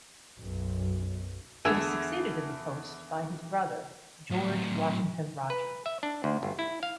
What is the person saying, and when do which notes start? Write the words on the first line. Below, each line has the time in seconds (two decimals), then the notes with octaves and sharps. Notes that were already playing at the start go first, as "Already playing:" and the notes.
He was succeeded in the post by his brother George Washington Rodgers.
0.38 B1 F#2
1.65 E2 D3 G#4 E5 G#5
4.31 A2 F#3
5.50 B4
5.86 E5
6.03 D4
6.24 D2
6.43 G1
6.59 E4
6.83 F5